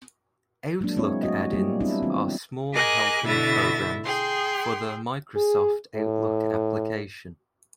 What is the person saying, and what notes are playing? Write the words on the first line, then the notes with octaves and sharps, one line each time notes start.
Outlook add-ins are small helping programs for the Microsoft Outlook application.
F#3 G#3 A#3 D4
G#3 C4 E4 C#5
F#3 A3 F#4 D#5
F#3 G3 A#3 F4 G4
G3 B3 C4 D4 E4 F#4
D#3 F#3 C4 F4
G#4 A#4 D#5 G#5 D6 F#6
B2 D3 E4 E5 A6 A#6
G#4 G5 C6
G#4
A2